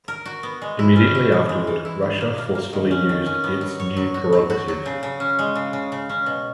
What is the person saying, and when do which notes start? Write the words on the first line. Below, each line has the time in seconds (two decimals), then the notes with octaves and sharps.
Immediately afterward, Russia forcefully used its new prerogative.
0.08 A#4
0.25 F#4
0.43 B3
0.62 G#3
0.79 E4
0.96 C#4
1.15 E4
1.32 E3
1.49 G#3
1.67 E3
1.85 E4
2.03 D#3
2.21 A#3
2.38 A#3
2.55 A#3
2.73 D#3
2.91 C#4
3.09 D#3
3.26 C#4
3.44 B3
3.61 F#3
3.80 C#5
3.97 F#3
4.14 F#4
4.32 F#3
4.50 F#4
4.68 F#3
4.86 C#3
5.03 C#3
5.20 C#4
5.39 G#3
5.55 C#3
5.73 C#3
5.92 C#3
6.09 C#4
6.26 B2